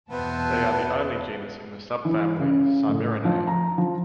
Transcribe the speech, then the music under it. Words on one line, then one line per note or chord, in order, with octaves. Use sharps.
They are the only genus in the subfamily Saimirinae.
E2 B2 B3 C4 E4 B4 A5
E3
C#3
A2
F3
A#5
F3